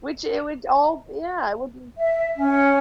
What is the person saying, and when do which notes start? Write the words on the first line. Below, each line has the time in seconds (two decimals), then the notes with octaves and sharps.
Which it would all yeah. It would be
1.98 E5
2.37 C#4